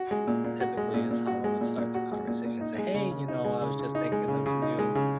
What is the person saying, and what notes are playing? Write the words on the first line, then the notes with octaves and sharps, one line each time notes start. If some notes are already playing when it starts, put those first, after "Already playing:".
typically is how I would start the conversation. Say, "Hey, you know, I was just thinking of you.
Already playing: F#4
G#3
A#2
A#2
F#4
G#3
A#2
A#2
F#4
G#3
A#2
A#2
F#4
G#3
A#2
A#2
D#4
G#3
C#3
C#3
D#4
G#3
C#3
C#3
D#4
G#3
C#3
C#3
D#4
G#3
C#3